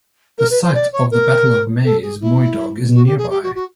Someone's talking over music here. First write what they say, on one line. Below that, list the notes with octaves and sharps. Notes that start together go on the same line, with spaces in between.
The site of the Battle of Maes Moydog is nearby.
A#4
B4
C5
D5
C#5
A#4
A4
G#4
E4
F#4
G4
G#4
G4
F#4
F#4